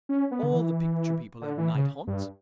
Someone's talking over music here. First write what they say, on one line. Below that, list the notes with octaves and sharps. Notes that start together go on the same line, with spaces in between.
All the picture people have night haunts.
C#4
B3
D3
E3
D3
E3
C#3
G2